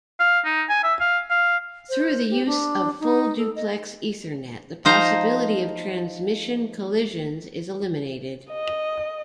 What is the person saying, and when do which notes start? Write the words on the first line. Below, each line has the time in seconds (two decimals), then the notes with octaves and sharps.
Through the use of full-duplex Ethernet, the possibility of transmission collisions is eliminated.
0.20 F5
0.45 D#4
0.69 G#5
0.84 E5
1.00 F5
1.30 F5
1.89 C5
2.31 G4
2.46 D4
3.00 D#4
3.38 A4
3.56 D#5
4.85 F3 D#4 C5 F5 A#5
8.51 D#5